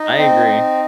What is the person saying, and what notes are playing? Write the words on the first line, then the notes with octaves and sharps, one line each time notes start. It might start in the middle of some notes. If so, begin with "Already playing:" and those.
I agree.
Already playing: D#4
C4
D#4